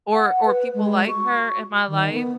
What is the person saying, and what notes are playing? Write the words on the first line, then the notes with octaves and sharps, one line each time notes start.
or or people like her in my life,
F#5
B4
G#3
F#4
D#3
B3